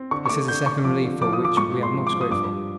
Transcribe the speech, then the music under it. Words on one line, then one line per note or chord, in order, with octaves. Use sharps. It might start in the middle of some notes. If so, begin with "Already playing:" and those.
This is a second relief for which we are most grateful.
Already playing: C4
D3 C#6
C#6
A3 D6
D3 G6
D3 C#6
F3 D6
D3
F3 D6
D#6
F3 D6
G#2 C#6
G#3
C6
F3
D6
F3
D#6
G2 D6
G3